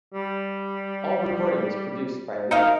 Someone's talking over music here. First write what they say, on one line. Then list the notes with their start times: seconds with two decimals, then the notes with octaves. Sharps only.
All recordings produced by Lee.
0.14 G3
2.51 D#4 A#4 D#5 F5